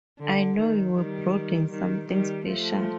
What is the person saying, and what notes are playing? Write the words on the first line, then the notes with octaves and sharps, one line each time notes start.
I know you were brooding something special.
D3
D#3
D#3 G3
D#3 G3
D#3 G3
F3 A3